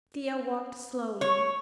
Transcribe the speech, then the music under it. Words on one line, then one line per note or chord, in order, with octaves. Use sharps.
Thea walked slowly.
C#5